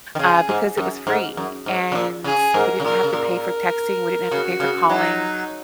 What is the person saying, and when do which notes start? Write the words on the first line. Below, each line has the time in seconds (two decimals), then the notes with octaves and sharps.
uh, because it was free, and we didn't have to pay for texting, we didn't have to pay for calling.
0.15 D#3
0.19 C#3 G#4
0.49 G#2
0.77 F#2
1.07 G#2
1.37 F#2
1.66 G#2
1.92 C#3
1.95 A#2
2.24 C#3 G#4
2.54 G#2 A#4
2.80 C#3
2.84 A#2 A#4
3.03 C#3
3.13 A#2 A#4
4.32 C#3 F#4
4.60 C#3
4.89 F#3 D#4